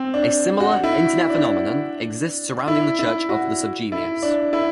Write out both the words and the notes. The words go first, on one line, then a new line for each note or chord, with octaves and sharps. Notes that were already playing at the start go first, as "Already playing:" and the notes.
A similar Internet phenomenon exists surrounding the Church of the SubGenius.
Already playing: C4
D4
F#4
E4
D4
E4
E4
F#4
E4
D4
E4